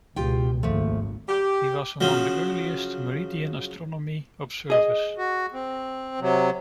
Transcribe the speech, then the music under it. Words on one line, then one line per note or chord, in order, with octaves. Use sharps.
He was among the earliest meridian-astronomy observers.
C#2 B2 F4 G4 G5
G#1 D#2 F3 A3
G4
C#3 F3 F#3
G#4 D#5
F#4
C4
C3 F#3